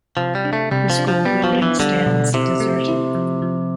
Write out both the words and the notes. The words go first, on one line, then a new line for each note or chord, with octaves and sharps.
The school building stands deserted.
C3 F3
G3
D4
A3
C3 G3
F3
D4
F3
G3 B3
F3
B3
E3
D3 G3
B2
C3 E4
A3
E4
F3
F3